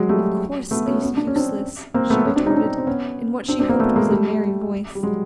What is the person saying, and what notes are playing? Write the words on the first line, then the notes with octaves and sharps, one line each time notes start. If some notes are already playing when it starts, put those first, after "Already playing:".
"Of course it is useless," she retorted in what she hoped was a merry voice.
Already playing: F#3 G#3
G3 A3
A3 B3
B3 C#4
B3 C#4
D4
C#4
C4 D4
A#3 C4
A3 B3
B3 C#4
C4 D4
C#4 D#4
C4 D4
C4
B3 C#4
C4 D4
C4 D4
A#3 C4
A3 B3
G#3 A#3
G3 A3
G3
F#3 G#3